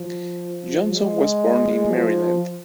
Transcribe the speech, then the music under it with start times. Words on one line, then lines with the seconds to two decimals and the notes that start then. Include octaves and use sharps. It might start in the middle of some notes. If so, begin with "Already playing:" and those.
Johnson was born in Maryland.
Already playing: F3
0.95 G#3
1.91 F3